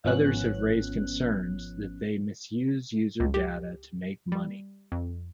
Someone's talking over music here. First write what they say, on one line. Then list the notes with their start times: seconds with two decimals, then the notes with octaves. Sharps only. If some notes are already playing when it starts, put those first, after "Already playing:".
Others have raised concerns that they misuse users data to make money.
0.05 G#1 F3 B3 C#4 F#6
3.20 C#2
3.34 G4
4.32 G3
4.92 F2